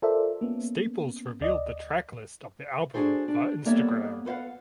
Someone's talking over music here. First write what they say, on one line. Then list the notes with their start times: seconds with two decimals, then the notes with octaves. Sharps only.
Staples revealed the track list of the album via Instagram.
0.02 F4 A4 A#4 C5 D5 E5
0.41 A#3 B3 C#4
1.40 D2 D5 D#5
2.94 D4 D#4 F#4 G#4 A4 C5
3.28 D4
3.65 G3 A#3 B3 A4 C#5 E5
4.25 A4 B4 C5 F5 F#5